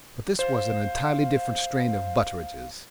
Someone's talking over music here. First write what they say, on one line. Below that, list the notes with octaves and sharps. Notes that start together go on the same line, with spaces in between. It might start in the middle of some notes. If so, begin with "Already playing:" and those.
But this was an entirely different strain of Butteridges.
C5 F5